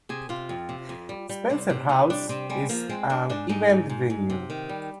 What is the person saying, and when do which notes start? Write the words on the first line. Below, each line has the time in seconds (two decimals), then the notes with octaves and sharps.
Spencer House is an event venue.
0.09 C3 G#4
0.29 C3 F4
0.49 F2
0.69 C3
0.89 F2
1.09 G3
1.29 G3
1.50 C3
1.70 C3
1.89 C3 D#4
2.10 G3 D4
2.29 C3 C4
2.49 G3 G#3
2.69 F3 A#3
2.89 G#3 C4
3.09 G#3 D4
3.29 G#2 D4
3.49 G#2 D#4
3.70 G#2
3.89 G#2
4.10 G#2
4.30 C3
4.50 D#3
4.69 G3